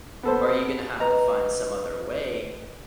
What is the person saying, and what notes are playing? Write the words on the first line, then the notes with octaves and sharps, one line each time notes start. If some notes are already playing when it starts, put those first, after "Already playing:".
Are you gonna have to find some other way
B3 A4 C5
B4 D#5 A#5